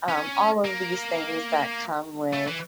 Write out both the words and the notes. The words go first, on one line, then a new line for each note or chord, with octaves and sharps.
um, all of these things that come with
C#4
A#3
A3
E3